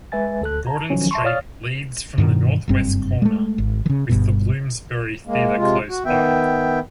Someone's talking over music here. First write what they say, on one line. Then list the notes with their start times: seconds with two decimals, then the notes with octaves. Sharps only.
Gordon Street leads from the north-west corner with the Bloomsbury Theatre close by.
0.12 G#3 B4 E5 G#5 A6
0.41 D2 A4 F#6
0.67 A5 A#5
0.90 D#3 F3 F#3 C#4
1.11 E5 A5 C6 C#6
1.24 C#5 D5 F5 D#6 F6 A6
2.18 G2 B2 D#3
2.68 F#1 G2 C4
3.22 G#3 A3
3.58 G#1
3.86 C#3 E3
4.10 G1 G2 B2
5.27 G#3 A#3
5.58 C3 G#3 F4
5.89 F#4
6.05 D#3 B3 E5 G5